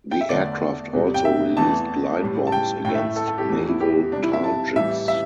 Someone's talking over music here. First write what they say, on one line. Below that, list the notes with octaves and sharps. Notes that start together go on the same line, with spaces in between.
The aircraft also released glide bombs against naval targets.
G5
E5
E2 D3 A3 D5
E2 C3 G3
G5
E5
E2 E3 A3 A5
A2 G3
A5
G5
A2 A3 G5
E5
A4
A4
G4
E2 E3 A3
E4
G4
C3 G3 D4
E4
E5
A5
A2 E3 G3 E5
E5